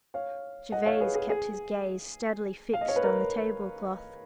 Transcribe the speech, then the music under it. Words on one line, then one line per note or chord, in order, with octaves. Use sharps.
Gervase kept his gaze steadily fixed on the table-cloth.
C#5 F5
D#5 F#5
C#5 F5
G#4 B4
G#4
G#4
F5
D#5
C#5
B4
A#4